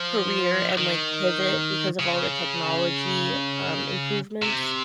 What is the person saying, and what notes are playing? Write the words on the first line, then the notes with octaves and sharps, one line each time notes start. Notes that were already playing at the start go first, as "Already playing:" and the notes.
career and, like, pivot because of all the technology, um, improvements?
Already playing: F3
D#3
C#3
C3